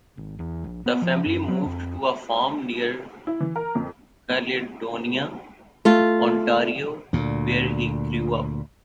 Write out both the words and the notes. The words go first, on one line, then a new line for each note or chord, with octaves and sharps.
The family moved to a farm near Caledonia, Ontario where he grew up.
G#1
E2
A#1
B3
F3
F#2
F#3
F2
E4
E3
A#4
F2
A3 F4
D2 A#2